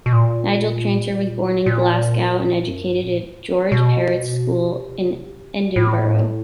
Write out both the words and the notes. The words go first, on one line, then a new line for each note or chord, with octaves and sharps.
Nigel Tranter was born in Glasgow and educated at George Heriot's School in Edinburgh.
B2
A#2
A#2
F#2
G2
A#2
B2
C3
A2